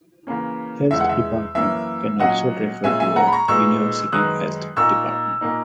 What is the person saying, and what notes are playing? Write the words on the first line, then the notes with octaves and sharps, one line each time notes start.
"Health department" can also refer to a university health department.
C#3 E3 A#3 C#4
E2 C#3 G#3 E5
F#5
E5
F#2 E3 A#3 C#4 E5
A#2 F#3 C#4 D#5 F#5
A#2 G#3 C#4 E5 G#5
E5 G#5
F#5 A#5
B5
A#5 C#6
A#2 G#3 B3 D#4 C#6 E6
F#2 D#3 G#3 B3 D#4 D#6 F#6
A#2 A#3 D#4 C#6 E6
A#2 A#3 D#4